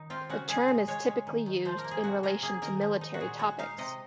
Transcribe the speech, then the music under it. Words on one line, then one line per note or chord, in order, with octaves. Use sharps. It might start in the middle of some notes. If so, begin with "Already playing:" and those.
The term is typically used in relation to military topics.
Already playing: D#3 D#4
C4 F4
C#3 F#4
G#3 G#4
A#2 D#5
G#3 C#5
G#3
D#3
D#3
F3 C5
A#4
A#3
G#4
C3 F#4
G#3 A#4
A#3 G#4
D#3 A#4
F3
D#4
F#4
A#2 G#4
G#3 F#4
D#4 F5
C3 D#5